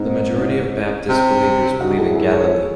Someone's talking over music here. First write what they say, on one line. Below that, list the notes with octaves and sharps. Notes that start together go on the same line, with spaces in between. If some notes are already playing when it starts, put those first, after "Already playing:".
The majority of Baptist believers live in Galilee.
Already playing: G#2 C4 D#4
C#4 E4
C3
C#3 D#4 F#4
A2 E4 G#4
G#2 E4 G#4
G#2
A4 C#5
G#2